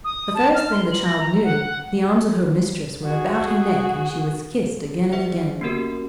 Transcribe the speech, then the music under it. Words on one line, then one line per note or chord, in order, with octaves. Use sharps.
The first thing the child knew the arms of her mistress were about her neck and she was kissed again and again.
D#6
A5
F6
C6
F#7
A#6
A#5
F#5
F#5
F#4 G#4
G#4 C5 D5 E5 F#5
A#3 B3 C#4 F#4 G4 A#4